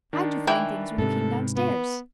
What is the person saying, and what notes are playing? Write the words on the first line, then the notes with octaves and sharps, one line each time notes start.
How'd you find things when you came downstairs?
D#3 D4
E3 E4 G5
G#2 C3 A4
B3